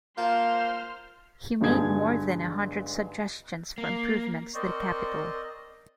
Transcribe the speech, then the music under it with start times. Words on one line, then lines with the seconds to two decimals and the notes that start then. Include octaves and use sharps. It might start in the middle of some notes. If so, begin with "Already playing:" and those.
He made more than a hundred suggestions for improvements to the capital.
0.18 A#3 F4 C5 G5 A5 F6
1.61 B1 G2 D3 G#3 G#6
3.78 A#3
4.55 C4 A#4 C5 D5 D#5 C#6